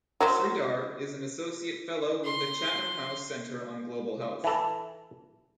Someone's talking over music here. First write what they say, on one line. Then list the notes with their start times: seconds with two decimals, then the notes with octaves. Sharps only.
Sridhar is an Associate Fellow with the Chatham House Centre on Global Health.
0.21 F#3 A#4 C5
2.25 C6
4.44 E3 A4